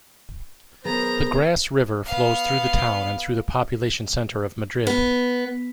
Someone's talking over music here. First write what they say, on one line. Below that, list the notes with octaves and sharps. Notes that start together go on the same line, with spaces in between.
The Grasse River flows through the town and through the population center of Madrid.
B3 G#4 A#4 C5 A#5
B3 F5
B3